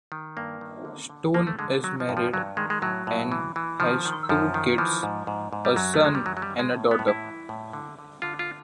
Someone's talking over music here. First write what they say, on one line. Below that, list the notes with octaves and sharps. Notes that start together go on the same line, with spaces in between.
Stone is married and has two kids, a son and a daughter.
D#3
G2 A#3
D#3
D3
D3
D3 A#3
A3
D3 G#3
D#3 F#3
F3
G2
F3
G2 F#3
D#3 G#3
G#3
A2 F#3
A2
E3
E3
D#3 F3
D#3
F#2 F3
D#3
E3 F3
G#2
G#2
G#2
G3
F#2 F#3
A3
D#3 G#3
G3
F#2 F#3
F#3
G3
D#3
G#3
A2
B3
A2
E4
E3
A2
D3
D3
D3 F4
F4